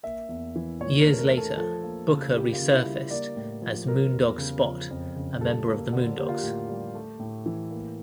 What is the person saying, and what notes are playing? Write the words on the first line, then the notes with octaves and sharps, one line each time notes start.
Years later, Booker resurfaced as "Moondog Spot", a member of The Moondogs.
A#3 E5
E2
E3
A#2 C#5
A#4
A3
A#4
A3
A4
F3 A4
A#3
C#3
A#3 G4
F4
C#3
E4
G3
A#3 D5
A2
F3
G3 A#4
E2
C#3
F3
F2
C#3
G3 A4
A#3
D3
A#3 G4
F4
G4
A2
G3
A3
A2
E3
A#3